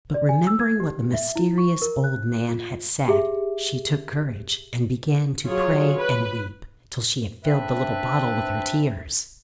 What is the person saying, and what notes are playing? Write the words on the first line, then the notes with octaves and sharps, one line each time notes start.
But remembering what the mysterious old man had said she took courage, and began to pray and weep, till she had filled the little bottle with her tears.
D5
G#5
E6
G#6
G4
E5
E4
C#6
A#4
F#6
F4
G4 G#4 E5
F#3 F4 G#4 C#5
B4
C4 D4 B4 E5